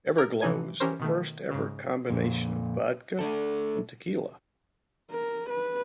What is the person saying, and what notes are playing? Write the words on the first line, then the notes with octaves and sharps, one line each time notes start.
Everglo is the first ever combination of vodka and tequila.
A#4
C3 E3 F3 D#4 G#5 G#6
E3 C#4 G4 A#4 C5
B2 D#3 A3
G#2 C#3
F2 A#2
A3 D4 A4
A#4
B4